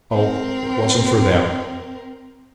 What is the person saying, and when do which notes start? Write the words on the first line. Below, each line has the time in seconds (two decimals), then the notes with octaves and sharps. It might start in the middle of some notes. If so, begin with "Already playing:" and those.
No, it wasn't for them.
0.11 C4 A#4